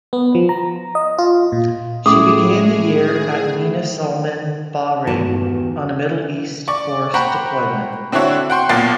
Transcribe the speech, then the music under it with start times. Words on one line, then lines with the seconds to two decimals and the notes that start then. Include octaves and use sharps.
She began the year at Mina Sulman, Bahrain, on a Middle East Force deployment.
0.13 B3
0.35 F3
0.49 A#5
0.95 D#5
1.18 F4
1.52 A#2
2.06 A2 C#4 E4 G#4 A4 D6 D#6
5.07 E2 G2 D#3 E3 F#4 A5
6.68 D5 C#6
7.14 C5 F#5 G5 A#5 B5 C#6
8.12 D3 C4 D4 E4 F#4 C#5
8.50 F#5 G5 C6 C#6
8.69 B1 A#2 A#3 B3 A6 C7